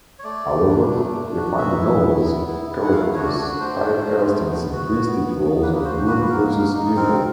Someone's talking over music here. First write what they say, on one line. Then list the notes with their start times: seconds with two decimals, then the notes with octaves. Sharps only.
However, they find the novel's characters typecast in simplistic roles of good versus evil.
0.19 C#5
0.23 A3 D5
0.46 A3
0.68 D4
0.91 A3
1.14 D4
1.36 F#4
1.58 B3 E5
1.81 E4
2.02 E4
2.26 B3
2.47 E4
2.71 E4
2.84 F#5
2.92 A3 F5
3.14 F#4 C#5
3.26 D5
3.38 D4
3.60 A3 C5
3.82 A3
4.05 A3
4.27 B3
4.49 B3
4.73 F#4
4.95 B3
5.17 B3
5.40 B3
5.62 A#3 B4
5.84 F#4 C5
6.07 A#3 B4
6.23 B4
6.29 A#3 A#4
6.51 D#4
6.74 D#4
6.96 C4 A#4